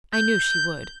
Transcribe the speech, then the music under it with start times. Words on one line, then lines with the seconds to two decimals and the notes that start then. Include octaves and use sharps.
I knew she would.
0.13 G6